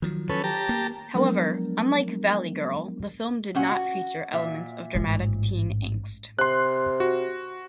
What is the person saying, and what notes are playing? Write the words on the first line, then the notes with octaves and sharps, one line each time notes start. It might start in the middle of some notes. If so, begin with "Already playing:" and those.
However, unlike "Valley Girl", the film did not feature elements of dramatic teen angst.
D#3 F3 F#3
C#4 A4 B4
G4 A5 A#5
A#3
F3 F#3 G#3 B3 D4 A#4
A#2 C#4 F#5
F#4
A#2 E5
A1 G#2
C3 C6 F#6
F#4